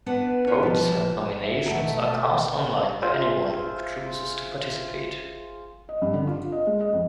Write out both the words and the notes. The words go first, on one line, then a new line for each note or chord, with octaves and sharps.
Votes and nominations are cast online by anyone who chooses to participate.
B3 D4 B4 F#5
E4 F4 B4 C#5
B2 F3 G4
E3 F3
E5
B2 A3 F#5 A5 A#5
F4 G#4 C5 E5
D#5
G2
D3
F4
D#5
G#3
D#5
F2